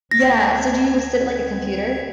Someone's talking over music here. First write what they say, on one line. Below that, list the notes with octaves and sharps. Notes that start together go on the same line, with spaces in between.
Yeah. So do you sit at, like, a computer?
D2 C4 G#6 A#6